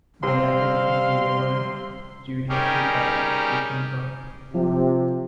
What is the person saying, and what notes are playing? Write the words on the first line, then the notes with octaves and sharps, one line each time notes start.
The message is delivered, curiously, by a speaking bird.
C3 G3 C4 F5 C6
G3 C#4 D#4 G4 G#4 A#4
C3 F3